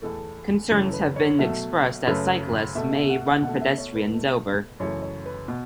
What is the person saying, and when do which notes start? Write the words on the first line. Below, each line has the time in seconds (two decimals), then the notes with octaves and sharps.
Concerns have been expressed that cyclists may run pedestrians over.
0.02 E2 E3 A3 A4
0.70 F#2 C#3 E3 A3 A4
0.93 B4
1.16 C#5
1.39 B2 F#3 A3 E5
2.07 F#2 C#3 A3 B4
2.75 B2 A3 E5
2.92 E5
3.10 F#5
3.27 F#5
3.43 B2 A3 F#5
3.61 E5
3.78 C#5
3.95 B4
4.12 B2 A3
4.80 F#2 C#3 E3 A3 C#5
5.02 C#5
5.26 B4
5.48 B2